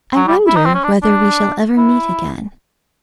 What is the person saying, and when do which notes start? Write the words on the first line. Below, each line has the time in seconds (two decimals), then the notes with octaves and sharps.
I wonder whether we shall ever meet again?
0.15 F#3
0.27 G3
0.47 E4
0.56 D#4
0.65 C4
0.74 C#4
0.84 D4
1.02 D4
1.77 E4